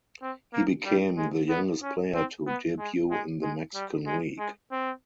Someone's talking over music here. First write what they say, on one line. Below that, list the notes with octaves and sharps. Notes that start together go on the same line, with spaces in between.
He became the youngest player to debut in the Mexican League.
C4
A#3
G3
G#3
B3
C#4
C4
B3
G#3
G#3
G#3
G3
G#3
G#3
C4